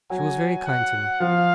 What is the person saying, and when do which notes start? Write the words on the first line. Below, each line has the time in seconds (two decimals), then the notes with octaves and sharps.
She was very kind to me.
0.10 F#3 G#5
0.66 F#5
1.20 F3 F5